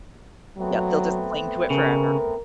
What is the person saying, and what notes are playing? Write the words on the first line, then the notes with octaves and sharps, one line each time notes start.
Yep, they'll just cling to it forever.
F#3 A3 B3 C4
C#3 A#4